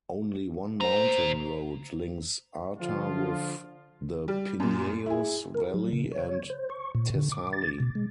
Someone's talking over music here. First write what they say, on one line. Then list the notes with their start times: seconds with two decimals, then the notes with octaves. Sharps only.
Only one mountain road links Arta with the Pineios valley and Thessaly.
0.81 A#2 C5 A#5
2.79 D3 F3 F4
4.28 G3
4.60 F#2 A#2
5.06 E4 G#4
5.54 A#4
5.74 F#3
5.93 C#3
6.12 C#5
6.50 C5
6.70 C#6
6.95 A#2
7.15 D3
7.32 D6
7.53 A6
7.80 B2
7.95 G#3